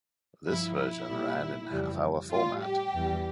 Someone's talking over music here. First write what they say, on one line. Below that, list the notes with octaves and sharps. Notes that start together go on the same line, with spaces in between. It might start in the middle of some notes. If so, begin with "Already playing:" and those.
This version ran in half-hour format.
G2 F3 E4
E4
A#2 G3
F2 C#3 E3 G3
A2 G3 F4
G4
E2 E3 G3